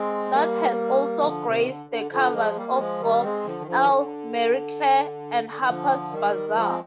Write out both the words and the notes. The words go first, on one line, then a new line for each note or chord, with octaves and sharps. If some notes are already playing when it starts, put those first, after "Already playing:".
North has also graced the covers of Vogue, Elle, Marie Claire, and Harper's Bazaar.
Already playing: G#3 C4
G3 A#3
D3 F3
C3 D#3
D3
D3
D3 F3
F3 G#3
G3 A#3
G3
F3 G#3
D#3 G3
G#3 C4
D3 F3
D#3
D3 F3
D#3
D3
D3
D#3
D3 F3
D#3 G3
G3
F3 G#3
C4